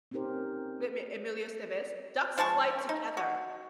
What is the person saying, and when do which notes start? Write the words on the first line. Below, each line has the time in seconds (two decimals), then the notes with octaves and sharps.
With me Emilio Estevez. “Ducks fly together.”
0.11 C4 C#4 D#4 G4 A#4 C5
2.38 F3 G#3 A5 C#6
2.89 D#4
3.17 F#4